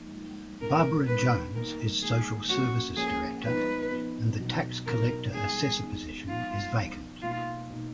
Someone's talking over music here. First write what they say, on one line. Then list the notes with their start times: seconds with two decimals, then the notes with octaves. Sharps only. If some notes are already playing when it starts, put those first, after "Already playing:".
Barbara Jones is Social Services Director and the Tax Collector-Assessor position is vacant.
Already playing: F3 A#3 D#4
0.13 F3 A#3 D#4
0.60 A#2 G#3 B3 D#4 A#4
1.07 A#2 G#3 B3 D#4 B4
1.55 D#3 A#3 D#4 A#4
2.02 D#3 A#3 D#4 G#4
2.49 F3 A#3 C#4 F#4
2.96 F3 A#3 C#4 G#4
3.44 F3 B3 D#4 B4
3.92 F3 B3 D#4
4.39 B2 F#3 B3 D#4
4.86 B2 F#3 B3 D#4 A#4
5.33 D#3 G#3 B3 D#4 G#4
5.80 D#3 G#3 B3 D#4
6.28 F3 B3 D#4 F4
6.75 F3 B3 D#4
7.22 B2 A#3 D#4 F4
7.69 B2 A#3 D#4